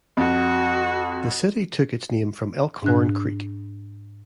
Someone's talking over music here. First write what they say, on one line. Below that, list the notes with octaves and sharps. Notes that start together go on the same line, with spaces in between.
The city took its name from Elk Horn Creek.
F2 F#4
G#2 D4 F#6